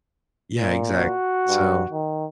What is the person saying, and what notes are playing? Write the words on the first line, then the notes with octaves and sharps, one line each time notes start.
Yeah. Exact so,
A#2
F#4
G2
D#3